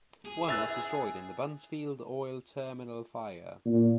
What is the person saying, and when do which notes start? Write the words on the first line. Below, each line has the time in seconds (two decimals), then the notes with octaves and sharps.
One was destroyed in the Buncefield Oil Terminal Fire.
0.25 G#4
0.49 E5 F#6 A6 F7
3.65 A#2